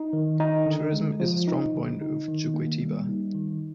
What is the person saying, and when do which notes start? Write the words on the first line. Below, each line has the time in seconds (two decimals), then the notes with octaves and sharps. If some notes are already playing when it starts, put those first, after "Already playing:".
Tourism is a strong point of Juquitiba.
Already playing: D#4
0.13 D#3
0.40 D#4
0.66 D3
0.93 G#3
1.20 F3
1.47 D#4
1.74 D3
2.01 D#4
2.28 D#3
2.54 A#3
2.81 G3
3.09 D#4
3.35 D#3